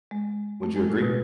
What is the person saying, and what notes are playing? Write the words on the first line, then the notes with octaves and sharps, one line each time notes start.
Would you agree?
G#3
A3
G#3
A2
B2